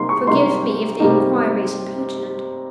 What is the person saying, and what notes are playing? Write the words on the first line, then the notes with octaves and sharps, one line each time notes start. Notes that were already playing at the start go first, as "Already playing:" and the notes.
Forgive me if the inquiry is impertinent.
Already playing: C3 G3 A#3 D#4 C6
C#6
C3 G3 A#3 D#4 C6
C3 G3 A#3 D#4